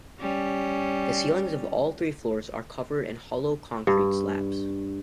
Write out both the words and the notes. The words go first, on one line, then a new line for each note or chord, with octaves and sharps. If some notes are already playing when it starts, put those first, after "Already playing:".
The ceilings of all three floors are covered in hollow concrete slabs.
G3 C#4
G2